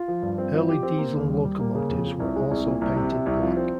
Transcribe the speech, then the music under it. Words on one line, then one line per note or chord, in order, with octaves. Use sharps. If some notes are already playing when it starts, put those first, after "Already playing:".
Early diesel locomotives were also painted black.
Already playing: F4
F3
G2
C4
F3
G4
C4
A#3
D#2
G3
G3
A#3
C#3
F2
F3
C2
G#3
C2
A#2
C2
C3
C3
C2
F3
C4